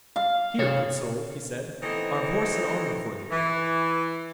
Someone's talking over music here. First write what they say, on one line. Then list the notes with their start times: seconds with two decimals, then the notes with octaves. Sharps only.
'Here, good soul,' he said, 'are horse and armour for thee.
0.16 F5
0.59 C3 C#5
1.82 E3 A3 B3 C4 D#4
3.31 E3